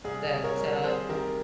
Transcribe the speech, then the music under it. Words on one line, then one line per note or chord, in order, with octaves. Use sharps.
that, uh,
C2 G#4
C3
A#4 C#5
C2
C3 G#4 C5
D#3 G4 A#4